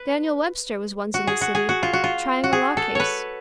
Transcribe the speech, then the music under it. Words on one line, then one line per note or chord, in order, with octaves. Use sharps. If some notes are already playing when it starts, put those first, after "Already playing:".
Daniel Webster was once in the city, trying a law case.
Already playing: B4
F#4
G#4
F#4
G#4
F#4
F4
F#4
F4
F#4
G#4
A4
B4 C#5